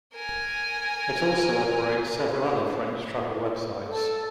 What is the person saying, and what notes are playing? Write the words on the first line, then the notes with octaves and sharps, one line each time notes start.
It also operates several other French travel websites.
A#4 G#5
A4